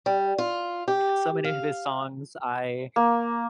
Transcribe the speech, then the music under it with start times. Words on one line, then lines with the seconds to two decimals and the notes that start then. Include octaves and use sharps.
So many of his songs, I
0.06 G3
0.38 F4
0.88 G4
1.44 F5
2.96 A#3